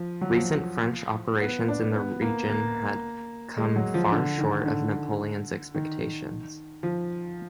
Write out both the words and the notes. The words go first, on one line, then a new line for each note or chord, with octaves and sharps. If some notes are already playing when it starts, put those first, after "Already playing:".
Recent French operations in the region had come far short of Napoleon's expectations.
Already playing: F3
F#3
F3
B3
D4
B3
A#3
A#3
G#3
F#3
F3
D3
D#3
D3
D#3
F3